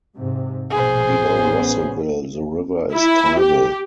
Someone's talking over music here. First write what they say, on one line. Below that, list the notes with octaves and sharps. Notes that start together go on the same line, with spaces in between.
Below Russellville the river is tidal.
G#2 C3
A#1 B2 G#4 C5
A1 B3 C#4
E4
G4